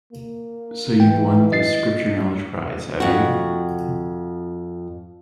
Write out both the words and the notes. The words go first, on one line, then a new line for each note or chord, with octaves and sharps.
So you've won the Scripture-knowledge prize, have you?
A#3
E3 G5
D#5 A6 C7
F2 F#4